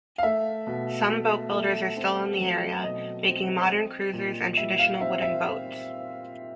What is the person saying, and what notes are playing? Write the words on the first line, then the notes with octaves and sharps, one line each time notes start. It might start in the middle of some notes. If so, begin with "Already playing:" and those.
Some boatbuilders are still in the area, making modern cruisers and traditional wooden boats.
F5
A3 E5
B2
A3
A3
C4
F#3
B2 D#5
C4
C4
A#2
G3 E5
F5
C4 E5
E5